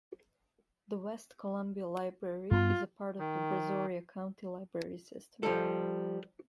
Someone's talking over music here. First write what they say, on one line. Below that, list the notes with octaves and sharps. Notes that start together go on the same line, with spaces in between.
The West Columbia Library is a part of the Brazoria County Library System.
G2 B3 F4
D#3
F3 G3 A4